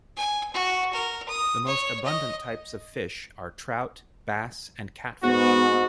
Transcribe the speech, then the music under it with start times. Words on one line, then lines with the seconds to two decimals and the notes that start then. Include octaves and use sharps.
The most abundant types of fish are trout, bass and catfish.
0.16 G#5
0.53 F#4
0.93 A#4
1.28 D#6
1.67 C#5
2.05 D#5
5.23 G#2 B3 F#4